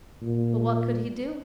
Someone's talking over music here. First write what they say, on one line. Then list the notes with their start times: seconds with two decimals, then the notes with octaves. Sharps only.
But what could he do?
0.22 A#2